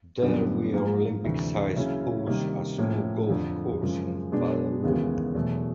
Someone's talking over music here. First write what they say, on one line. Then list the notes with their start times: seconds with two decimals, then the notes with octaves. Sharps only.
There were Olympic-sized pools, a small golf course and a ballroom.
0.22 F#2 D3 G3 B3
0.73 G#2 F3 A#3
1.24 D2 C3 E3
1.76 C#3 F#3 A#3 C#4 E4
2.27 C3 D#3 G3 A#3 D#4
2.78 A2 F3 A#3 C#4
3.30 F2 D3 F3
3.82 F#2 C#3 F3 G#3
4.32 B2 G#3 B3 D4
4.84 D#2 C#3 E3 G#3 B3
5.34 E2 B2 F#3 A3